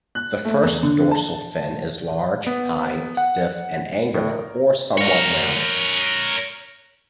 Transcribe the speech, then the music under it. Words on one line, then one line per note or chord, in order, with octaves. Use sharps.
The first dorsal fin is large, high, stiff, and angular or somewhat rounded.
F#6
A3
E2
D3
A5
B3
F#5
A2
A#4
A#4 C#5